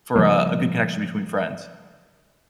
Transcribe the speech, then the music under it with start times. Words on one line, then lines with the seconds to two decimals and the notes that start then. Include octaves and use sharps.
for a a good connection between friends.
0.16 C#3 F3 G3 A#3